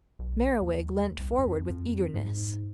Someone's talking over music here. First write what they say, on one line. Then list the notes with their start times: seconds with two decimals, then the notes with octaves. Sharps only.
Merriwig leant forward with eagerness.
0.19 B1
0.62 D#2
1.19 C2
1.38 F2
1.70 F2
2.14 G#2